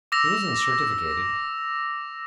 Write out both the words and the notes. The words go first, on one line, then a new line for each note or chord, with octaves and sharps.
He wasn't certificated.
D6 E6 A#6 F7